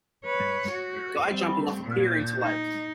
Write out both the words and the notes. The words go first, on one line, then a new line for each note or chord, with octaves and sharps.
Guy jumping off a pier into lake.
B4 C#5
F#4
G3 C4
A#2
D#4